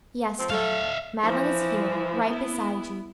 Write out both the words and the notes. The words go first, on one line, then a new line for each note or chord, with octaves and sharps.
Yes, darling, Mad'len is here--right beside you.
F3 C4
A3 A4 E5 F5
E3 F3
B3 E4